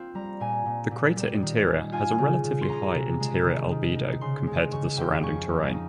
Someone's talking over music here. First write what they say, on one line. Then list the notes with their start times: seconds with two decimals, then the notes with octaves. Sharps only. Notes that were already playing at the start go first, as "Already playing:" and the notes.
The crater interior has a relatively high interior albedo compared to the surrounding terrain.
Already playing: A#3 C4 F4
0.15 G3 A#5
0.40 A#2 G#5
0.66 A#2
0.91 A#2
1.17 G3
1.43 D#3
1.67 C#4
1.92 F4 G#5
2.18 C#3
2.44 C#3
2.61 C6
2.68 C#4 A#5
2.94 C3
3.20 G#3
3.45 D#3
3.71 D#3
3.96 D#4
4.21 C#3 C6
4.47 G#3
4.72 C#3 C#6
4.97 F2 G5
5.22 C#4 C#6
5.48 F2
5.73 D#4